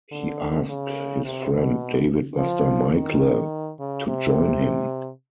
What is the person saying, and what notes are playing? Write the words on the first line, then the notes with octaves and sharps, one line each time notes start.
He asked his friend David 'Buster' Meikle to join him.
D3
C#3
C3
B2
F3
D#3
C#3
C3